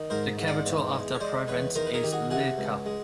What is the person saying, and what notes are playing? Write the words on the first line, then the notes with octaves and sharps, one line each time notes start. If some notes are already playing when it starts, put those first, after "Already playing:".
The capital of the province is Llica.
Already playing: D#3
G#2 A#4 C5
G#2
C5 D5
E2
G#3
C#5
G#3 C5 D5
E2 B4 C#5
D#3 A#4 C5
B4
G#4 A#4
D#3 G4
F#4 G#4
C3 F#4 G#4
C#2
G#3